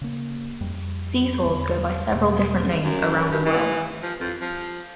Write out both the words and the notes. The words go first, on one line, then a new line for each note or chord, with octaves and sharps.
Seesaws go by several different names around the world.
C#3 A#3
F2 G3
E2 D3
E2 B2
F#2
G2
E3
F3
F2
F3